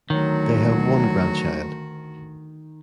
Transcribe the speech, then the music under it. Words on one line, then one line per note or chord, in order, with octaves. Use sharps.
They have one grandchild.
D2 D#3 F#3 F#4